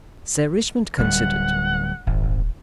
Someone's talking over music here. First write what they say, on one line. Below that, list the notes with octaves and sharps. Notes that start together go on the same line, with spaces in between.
Sir Richmond considered.
D1 G3 F#5
D#1 G#1